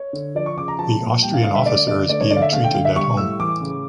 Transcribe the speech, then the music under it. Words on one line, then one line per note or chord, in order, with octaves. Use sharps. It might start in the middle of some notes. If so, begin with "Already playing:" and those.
The Austrian officer is being treated at home.
Already playing: C#5
D3
F3 D5
C#6
C#3 D6
A#5
F3 A5
A#2
G3 G5
F5
D3 F5
E5
A3 D5
D3 D5
A3 D5
C#5
D3 D5
F5
E5
A3 F5
G5
D3 F5
E5
G3 C#6
A2 E6
E3 D6
C#3